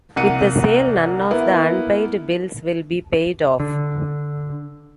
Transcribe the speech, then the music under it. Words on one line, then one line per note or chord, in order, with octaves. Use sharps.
With the sale, none of the unpaid bills will be paid off.
C2 A#3 F#5 C#7 D#7
A#3 B3 E4
D3